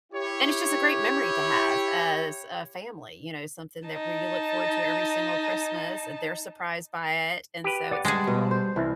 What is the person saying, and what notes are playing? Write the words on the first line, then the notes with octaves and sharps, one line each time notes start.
and it's just a great memory to have as a family, you know, something that we you look forward to every single Christmas, and they're surprised by it. And so, it's something we'll
E4 G4 C#5
D#4 A5
G4 B4
D5 F#5 D6
G3 G#3 G#4 F#5 A5
B2
C5
C2 E3